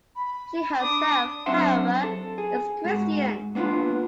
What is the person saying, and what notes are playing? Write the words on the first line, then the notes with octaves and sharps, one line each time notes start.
She herself, however, is Christian.
B5
D4 D6 D#6
F#2 C4 D4 E5 F#5 C6
A4
G#4
G#2 F#4
A#3 B3 D4 D#4 F4